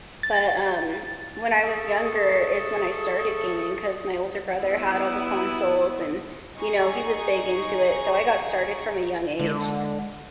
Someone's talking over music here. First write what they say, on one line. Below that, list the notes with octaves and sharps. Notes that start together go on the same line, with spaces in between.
But, um, when I was younger is when I started gaming, 'cause my older brother had all the consoles and, you know, he was big into it, so I got started from a young age
A6
A3 G#4 A4 C#6 D#6
B3 E4
D#4 G#4 C#6
D3 G#3